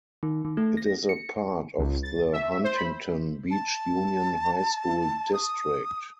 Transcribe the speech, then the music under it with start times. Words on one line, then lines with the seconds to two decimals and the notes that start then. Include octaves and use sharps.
It is a part of the Huntington Beach Union High School District.
0.23 D#3
0.45 D#3
0.57 A3
0.77 A#6
1.09 C#7
1.78 C#2
2.03 A6
2.33 E5
2.64 C5
2.76 B5
3.51 A5
5.34 D#6